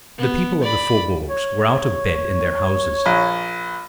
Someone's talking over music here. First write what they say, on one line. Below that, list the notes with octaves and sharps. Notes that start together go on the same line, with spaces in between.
The people of the faubourgs were out of bed in their houses.
B3
D5 B5
C#5
A#1